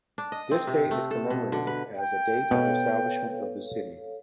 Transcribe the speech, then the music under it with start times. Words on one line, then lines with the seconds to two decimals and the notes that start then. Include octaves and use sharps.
This date is commemorated as a date of the establishment of the city.
0.18 D4
0.32 D#5
0.51 C4
0.67 C3
0.91 A3
1.11 A4
1.30 B2
1.52 D3
1.67 B4
1.97 G5
2.51 B2 B3 A4 C#5 F5